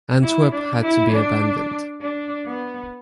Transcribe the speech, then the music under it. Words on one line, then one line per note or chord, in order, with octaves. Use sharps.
Antwerp had to be abandoned.
E4
D4
E4
D4
D4
B3